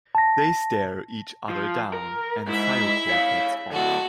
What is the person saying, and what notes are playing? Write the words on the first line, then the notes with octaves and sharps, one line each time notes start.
They stare each other down and Sayoko gets off.
A5 A#6
F3
A#4
G#2 E4 E5
C#5 F5
A2 D3 F#4 A4